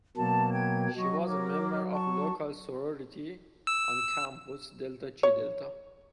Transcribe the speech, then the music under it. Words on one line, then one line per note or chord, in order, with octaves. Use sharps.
She was a member of a local sorority on campus, Delta Chi Delta.
B2 F#3 A#3 A5
B4 G5 G#6
F#3 D#5 C#6
A#4 C#5 D6
A5 C#6
E6
C#5